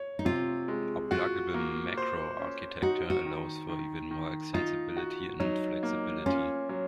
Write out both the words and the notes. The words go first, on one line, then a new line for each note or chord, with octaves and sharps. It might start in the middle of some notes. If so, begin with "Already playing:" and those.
A pluggable macro architecture allows for even more extensibility and flexibility.
Already playing: C#5
D#4
C3 F4
G#3
F4 F#4
A#3
C5
C#4
D#4 F#4
F#4
D#3
D#3
D#3
D#4 F4
F#4
F#3 D#4
A#3
C#4 F4
F#3